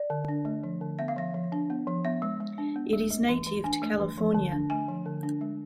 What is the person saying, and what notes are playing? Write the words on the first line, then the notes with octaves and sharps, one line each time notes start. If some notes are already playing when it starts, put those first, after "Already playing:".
It is native to California.
Already playing: D5
D3
D4
A3
F3
D3
B3 E5
F5
F3 E5
F3
D4
B3
F3
B3 E5
G#3
G#3
D4
B3
G#3
A3
E3
E3
D4 G#5
A3
E3
F3
D3
D4
A3 G#5
F3
D3
D4
G#3